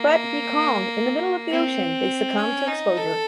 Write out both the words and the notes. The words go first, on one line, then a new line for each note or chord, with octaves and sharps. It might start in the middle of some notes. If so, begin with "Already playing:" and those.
But becalmed in the middle of the ocean, they succumb to exposure.
Already playing: A#3
C4
C#4
D#4
A4